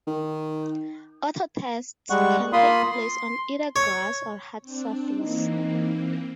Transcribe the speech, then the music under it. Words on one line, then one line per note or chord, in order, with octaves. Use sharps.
Autotests can take place on either grass or hard surface.
D#3
G3 G#3 F#5 C#6
A#3 F4 B5 C6 D#6
C6
C#5
C4 D4
E3 A#3 C4 D#4